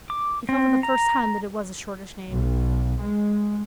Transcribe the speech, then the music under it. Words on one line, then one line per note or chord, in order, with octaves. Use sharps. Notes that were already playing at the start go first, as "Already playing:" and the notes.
He felt for the first time that it was a shortish name.
D6
C4
A#5
B1
G#3